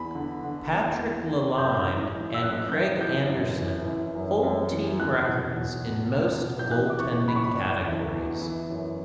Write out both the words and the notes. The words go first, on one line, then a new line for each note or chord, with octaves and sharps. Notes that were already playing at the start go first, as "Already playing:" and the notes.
Patrick Lalime and Craig Anderson hold team records in most goaltending categories.
Already playing: E2 B5
D3
D3
E2
E2
D3
F#2 G6
G6
E3
E3
E6
F#2 F#6
F#2 G6
E3 G6
F#2
E3
E3
F#2
F#2
E3
E2 F#6
B2
B2
E2
E2
B2
G6
E3 F#6
D6
E2 C#6
C#3 B5
C#6
B5
E2 D5
E3
E2
E3
F#2